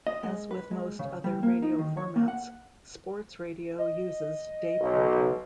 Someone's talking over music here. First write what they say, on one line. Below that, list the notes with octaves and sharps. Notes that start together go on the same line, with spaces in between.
As with most other radio formats, sports radio uses dayparting.
D#5
G#3
B4
G#3
C#3
G3
A#3
D#4
D#3
C#5
A#3
F#5
D#5
B1